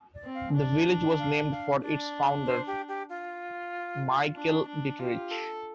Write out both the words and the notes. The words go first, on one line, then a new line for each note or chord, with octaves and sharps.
The village was named for its founder, Michael Dieterich.
D5
C4
F5
D4 D5
F5
F5
D4 D5
C5
G4
G4
F4
D4
D4
F4 G4
A4